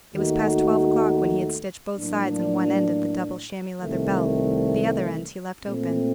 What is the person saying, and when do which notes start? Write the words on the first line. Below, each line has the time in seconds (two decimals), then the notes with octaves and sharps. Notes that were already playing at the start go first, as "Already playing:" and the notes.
It was past twelve o'clock when he had stitched both sides and one end of the double chamois-leather belt; the other end he left open.
0.13 D#2 D#3 A3 D#4 F#4
1.97 A2 F#3 A#3 D4
3.81 C2 C3 D#3 A3
5.64 A#2 A3 C4